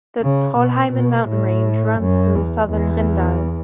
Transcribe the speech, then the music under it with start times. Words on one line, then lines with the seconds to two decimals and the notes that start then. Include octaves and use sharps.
The Trollheimen mountain range runs through southern Rindal.
0.21 C#3
0.57 B2
0.92 B2
1.28 A2
2.00 F#2
2.34 E2
2.70 E2